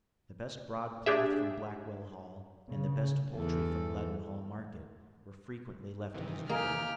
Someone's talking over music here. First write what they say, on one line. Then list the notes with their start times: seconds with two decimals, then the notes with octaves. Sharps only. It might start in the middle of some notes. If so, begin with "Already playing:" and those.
The best broadcloth from Blackwell Hall, and the best poultry from Leadenhall Market, were frequently left at his door.
1.06 D4 G4 G#4 E5
2.73 C#3
3.35 E2 A4
6.14 C3 D#3 E3
6.49 A#3 G4 G#4 A#4 D#5 F6